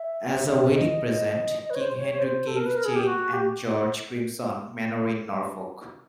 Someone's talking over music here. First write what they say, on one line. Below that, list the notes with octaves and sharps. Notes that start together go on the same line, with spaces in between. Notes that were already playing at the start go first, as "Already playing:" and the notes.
As a wedding present, King Henry gave Jane and George Grimston Manor in Norfolk.
Already playing: E5
D#5
D#5
D#5
B4
C#5
C5
C#5
C#5
C5
A4
A#4
B4
A#4
G#4
G4
F#4
G4